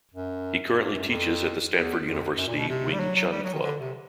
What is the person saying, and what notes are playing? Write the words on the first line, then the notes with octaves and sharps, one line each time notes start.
He currently teaches at the Stanford University Wing Chun Club.
F#2
G2
F#2
F2
E2
F2
F#2
A#2
B2
C3
G3
F#3
F#3
G3
F#3
D#3
D3
C3